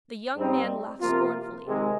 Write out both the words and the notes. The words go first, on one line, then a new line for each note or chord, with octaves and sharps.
The young man laughed scornfully.
G#2 G3 C4 D#4
C3 F3 A#3 F4
C3 D#3 G#3